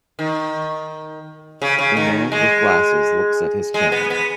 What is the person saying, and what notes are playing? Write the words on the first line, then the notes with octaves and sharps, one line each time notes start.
A man with glasses looks at his camera.
D#3
C#3
C#3
D#3
G#3
G#3
B3
B3